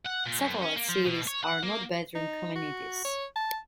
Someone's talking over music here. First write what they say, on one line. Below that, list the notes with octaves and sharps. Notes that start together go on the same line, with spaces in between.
Satellite cities are not bedroom communities.
F#5
A#2
F#2
C#4
A#3
F3
B2
C#5
F#5
A#3
D#4
F#4
C#5
A5